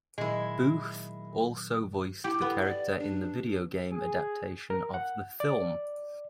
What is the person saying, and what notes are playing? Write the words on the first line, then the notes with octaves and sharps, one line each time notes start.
Booth also voiced the character in the video game adaptation of the film.
A#2 D#3 F#3 G#3 E4
E4 G4
B3
D5
D4
G#4
A#4
F#5
D5